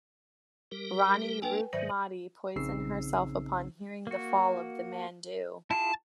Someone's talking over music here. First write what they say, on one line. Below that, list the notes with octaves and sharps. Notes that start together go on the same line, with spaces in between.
Rani Roopmati poisoned herself upon hearing of the fall of Mandu.
G3 G4 A#4
A#3 D4 A4 B4 G5 G#5
G#2 D#3 F#3 C5 D5 E5
A#1 C#3 C4 D#4 E6 C7
A#3 F#4
E4 F4 G#4 A5